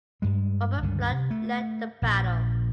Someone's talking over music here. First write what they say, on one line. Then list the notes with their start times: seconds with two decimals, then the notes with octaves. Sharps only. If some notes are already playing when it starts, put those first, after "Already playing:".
Robert Fludd led the battle.
0.22 G2 G3 G#3
0.83 C#2 G2 D3 D#3
1.12 C3
1.31 A3
2.02 A#1 A#2